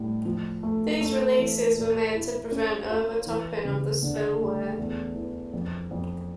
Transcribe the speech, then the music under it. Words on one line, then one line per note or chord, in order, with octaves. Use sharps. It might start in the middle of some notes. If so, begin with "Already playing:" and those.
These releases were made to prevent overtopping of the spillway.
Already playing: A2 G3
F3
A3
A3
E3
A#2
E4
C#4
F4
E3
C#3
D3
A3
E2
E3
F2
F2